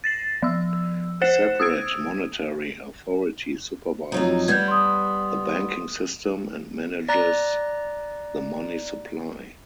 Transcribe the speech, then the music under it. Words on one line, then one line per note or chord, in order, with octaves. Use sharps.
A separate Monetary Authority supervises the banking system and manages the money supply.
A6 A#6 C7
F3 E6
C5 F#6 C7 C#7 E7
D#6 E6 G#6 D7
F2 F#3 D#4
G3 B3 G6 G#6
C6 D#6
D5 A#5 F#6 A#6